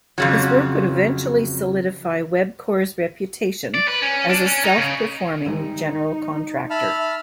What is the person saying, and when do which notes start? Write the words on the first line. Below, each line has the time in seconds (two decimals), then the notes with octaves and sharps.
His work would eventually solidify Webcor's reputation as a self-performing general contractor.
0.18 F2 C#3 F#3
3.74 D5
3.88 B4
4.02 C#4
4.30 D4
4.46 C#4
4.65 D#4
4.78 C#3
5.46 D#3 G3 G#3 D#4
6.70 E5 A5 B5 F6